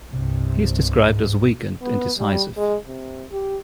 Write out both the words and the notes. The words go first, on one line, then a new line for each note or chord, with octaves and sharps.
He is described as weak and indecisive.
C2 G2 C3
C#2 G#2
B3
G3
G#3
C3
G4